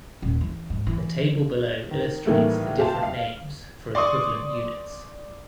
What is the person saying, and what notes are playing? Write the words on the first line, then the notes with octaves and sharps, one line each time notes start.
The table below illustrates the different names for equivalent units.
D#1
E3
G#2
E3
D#3
A2 D#3 E3 G3 A3 A#3
F#4 G4 C5 F5 A5
F5
D5 C6 C#6 D#6